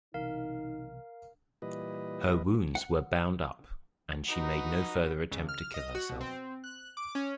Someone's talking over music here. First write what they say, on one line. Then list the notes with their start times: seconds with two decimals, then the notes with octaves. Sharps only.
Her wounds were bound up and she made no further attempt to kill herself.
0.14 B1 C3 E3 D#4 A#4 F5
1.62 A#2 E3 G3 B4 D#5
2.75 F#5
4.30 D#4 F#4 B4
5.31 C#2
5.49 F6
5.74 D#5
5.95 F#4
6.09 B2
6.21 C4
6.64 F#6
6.97 D6
7.15 C#4